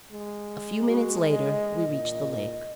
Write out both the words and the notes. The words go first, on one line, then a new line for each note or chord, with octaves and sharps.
A few minutes later we reached the lake.
G#3
F#4
D#5
A#2